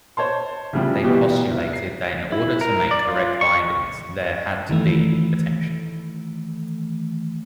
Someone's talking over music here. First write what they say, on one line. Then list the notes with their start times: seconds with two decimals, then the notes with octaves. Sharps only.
They postulated that in order to make correct bindings there had to be attention.
0.17 C5 C#5 A5 C6
0.73 C2 A2 C#3 F3 G3
1.03 B2 E3 G3 B3 F#4 G4
1.51 C2
1.73 C7
2.32 E4
2.61 A#4
2.91 D5
3.07 F4
3.41 C#6
4.69 D#3 E3 A3